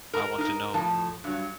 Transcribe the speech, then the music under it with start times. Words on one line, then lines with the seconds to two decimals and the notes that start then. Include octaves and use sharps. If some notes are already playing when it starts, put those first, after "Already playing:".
I want to know.
0.13 A#4 A#5
0.38 D#4 A#4
0.74 A2 F3 A5
1.24 G2 F#3